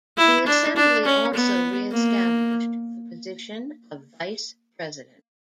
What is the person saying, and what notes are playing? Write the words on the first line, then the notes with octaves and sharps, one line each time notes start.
The Assembly also reestablished the position of vice president.
E4
D4
D4
C#4
B3
A#3